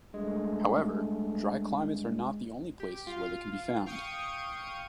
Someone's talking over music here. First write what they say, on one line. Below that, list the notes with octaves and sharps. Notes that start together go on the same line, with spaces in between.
However, dry climates are not the only places where they can be found.
G2 G#3 A3
G4
F4 F5
F5 G5 C#6 D#6 C#7 D#7